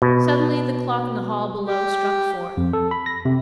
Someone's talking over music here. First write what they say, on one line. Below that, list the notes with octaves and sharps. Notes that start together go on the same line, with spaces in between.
Suddenly the clock in the hall below struck four.
B2
G4
F2
A4
B5
A#6
C3